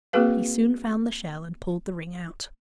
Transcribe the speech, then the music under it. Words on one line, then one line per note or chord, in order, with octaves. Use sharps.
He soon found the shell, and pulled the ring out.
A#3 C4 F#4 G#4 B4 F5